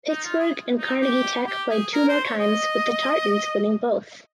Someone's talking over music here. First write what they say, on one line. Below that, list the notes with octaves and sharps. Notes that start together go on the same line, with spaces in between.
Pittsburgh and Carnegie Tech played two more times with the Tartans winning both.
D#4
F4
G#4
D#4
G4
G4
G#4
A#4
C5
C#5
D#5